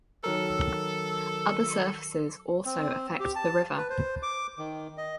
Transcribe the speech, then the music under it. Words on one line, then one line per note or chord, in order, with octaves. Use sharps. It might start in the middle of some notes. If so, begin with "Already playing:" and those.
Other surfaces also affect the river.
D#3 F#3 A4 A#4
C4
G4
A5
B4
C5
D6
D#3
D#5